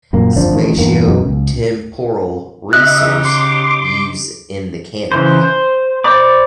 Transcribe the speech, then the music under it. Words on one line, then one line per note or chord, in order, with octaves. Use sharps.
Spatio-temporal resource use in the canopy.
F#2 A#2 A#3
G1 F2 F3 D4
A1 D#3
E2 G2 A#3
F#2 B2
C#2
C#3 D#4 G4 D#5 E5 F#6
C6 D6
C#3 E3 C5
C5
C5 D5 B5 D6